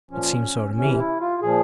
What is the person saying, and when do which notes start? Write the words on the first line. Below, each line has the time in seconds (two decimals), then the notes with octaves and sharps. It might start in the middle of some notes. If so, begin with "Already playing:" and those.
It seems so to me.
0.11 A#2 F3 C#4
0.76 C3 E3 C#4
0.99 E4
1.20 F4
1.42 A#2 F3 G#4